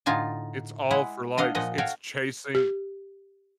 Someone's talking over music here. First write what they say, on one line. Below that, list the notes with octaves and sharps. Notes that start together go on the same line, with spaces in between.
It's all for, likes, it's chasing
A2 D3 D#4 F4 G#5 A5
G#3 E4 F#5
D4 D#5 F5 F#5
A#2 F3 D#5 F#5
F#4 A4 C#5 F5 G5
G4